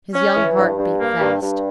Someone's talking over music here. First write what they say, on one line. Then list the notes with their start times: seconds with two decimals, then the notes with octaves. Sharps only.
His young heart beat fast.
0.14 C#4
0.35 E3
0.56 G2
0.78 G2
0.99 A#3
1.20 G2
1.41 G2